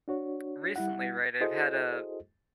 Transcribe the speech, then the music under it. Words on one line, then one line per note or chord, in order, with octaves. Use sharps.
recently, right, I've had a
D4 F#4 C#5
G3 E4 F#5
E4 F#4 G#4 A4 C5 D#5